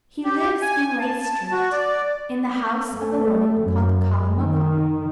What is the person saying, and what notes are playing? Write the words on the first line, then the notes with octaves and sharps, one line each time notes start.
He lives in Lake Street, in the house of a woman called Kalmikov....
G4
G#5
A5
F#4
D5
A3
F#2
D#3